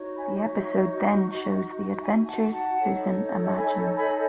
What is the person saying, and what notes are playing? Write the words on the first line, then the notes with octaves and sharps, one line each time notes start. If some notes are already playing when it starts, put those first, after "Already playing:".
The episode then shows the adventures Susan imagines.
Already playing: D#4 F#4 C#5
G#5 B5
C#5 E5
E5 G#5
F#5 A5
F#5 A5
D#4 A4 C#5
G#5 B5
G#5 B5